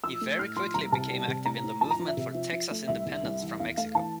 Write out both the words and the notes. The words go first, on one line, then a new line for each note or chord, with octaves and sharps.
He very quickly became active in the movement for Texas independence from Mexico.
F3 E6
A3
A2 F6
F3 C6
C2 A#5
C3 A5
G3
C3
A2 A#5
A2
F3 A5
A#5
F3
E5
C3
F3
F3
A3
C2 E5
C2
C2
E3
E2 F5
A3 F5
E3 A5